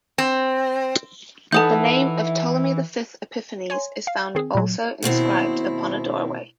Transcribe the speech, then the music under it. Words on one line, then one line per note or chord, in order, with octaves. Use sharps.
The name of Ptolemy the Fifth Epiphanes is found also inscribed upon a doorway.
C4
E3 D#4 A4 B4 F#5 A5 D#6 G6
C#5 G#5 C6
F5
D#3 C4 G#4
A#2 F#3
D#2 B2 C4 E4